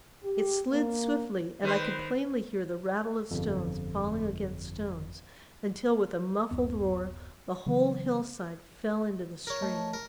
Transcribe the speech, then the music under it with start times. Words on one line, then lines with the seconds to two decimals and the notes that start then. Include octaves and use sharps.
It slid swiftly, and I could plainly hear the rattle of stones falling against stones, until with a muffled roar the whole hillside fell into the stream.
0.24 G4
0.72 A#3
1.63 D#3 B4 C5
3.31 G1 F2
6.51 D1 G#1 F#2 B3
7.66 C#3 E3 F#3
9.47 A#4 C#5
9.62 A3 D#5 A5
9.93 A#4